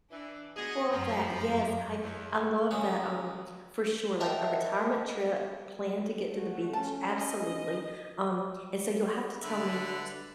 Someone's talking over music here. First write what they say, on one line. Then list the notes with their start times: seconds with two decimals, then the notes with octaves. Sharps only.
I love that, yes, I I love that, um, for sure, like a retirement trip planned to get to the beach, absolutely, um, and so you'll have to tell me, s
0.10 E3 D4
0.56 B3 F#4 G#4 D#5
0.91 F#2 F3 A#5
2.02 E2
2.71 C#3 F#3 G#3 B3
4.20 A#4 D#5 E5 F#5 G5 A5
6.28 A3 F#4
6.73 C#4 A5
7.16 D#5
9.42 D3 B4 E5